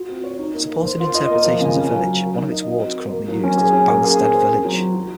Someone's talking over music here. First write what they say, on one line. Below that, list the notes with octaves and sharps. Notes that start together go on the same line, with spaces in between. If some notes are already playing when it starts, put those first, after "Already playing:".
Supporting interpretation as a village, one of its wards currently used is "Banstead Village".
Already playing: F4 F#4
C4
C#5
D#4
A#3
A#4
C5
F4
D#5
A#3
F3
C#3
C#4
F#3
F#4
A#4
D#4
D#5
F#4
C4
A#4
A#3
F#3
C#4
G#4
C#4
A#3
G#4
C#4
C5
C4
F#3
F4
F#3